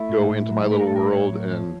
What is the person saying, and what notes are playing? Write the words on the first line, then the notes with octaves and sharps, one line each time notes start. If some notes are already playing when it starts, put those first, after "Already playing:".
go into my little world and
Already playing: A3 E4
A2
A2
F#3
A3 B4
A#4
A4
A2 A#4
A2 C#5
F#3
F3